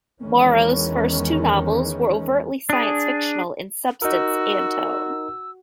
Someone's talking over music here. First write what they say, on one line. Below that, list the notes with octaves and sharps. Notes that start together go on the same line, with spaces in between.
Morrow's first two novels were overtly science-fictional in substance and tone.
E2 D#3 E3 G#3 C#4
D4 G#4
D#4 F#4 A#4 E6